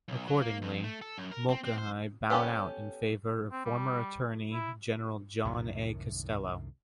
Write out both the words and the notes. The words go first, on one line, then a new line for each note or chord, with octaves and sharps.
Accordingly, Mulcahy bowed out in favour of former Attorney General John A. Costello.
B1
F#3
A#3
F2
A3
A4
F#2
A#4
C4
C4
C5
B3 C#4 G4 A4 B4
C4
G3
E4
C2 F#2 A2 D#3